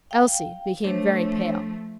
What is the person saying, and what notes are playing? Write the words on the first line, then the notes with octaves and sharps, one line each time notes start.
Elsie became very pale.
F5 G5
F3 A3 D4 C5 C#5